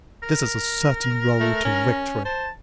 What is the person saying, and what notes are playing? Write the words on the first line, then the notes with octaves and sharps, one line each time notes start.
This is a certain road to victory.
A#4
A3
C#4
C5 A5